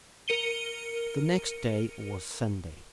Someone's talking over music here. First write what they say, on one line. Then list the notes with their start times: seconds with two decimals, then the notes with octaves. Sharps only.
The next day was Sunday.
0.28 A#4 C#7 D#7 G7